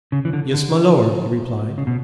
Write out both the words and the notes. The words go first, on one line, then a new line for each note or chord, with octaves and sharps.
"Yes, my lord," he replied.
C#3
E3
D3
D3
C#3
B2